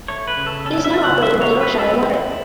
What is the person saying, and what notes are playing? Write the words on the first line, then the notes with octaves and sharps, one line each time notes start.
It is now operated by Yorkshire Water.
A3 C#5
B4
C#3
A4
C#4 A4
E5
C#3
F#5
B3 E5
C#5
F#3
B4
E4 A4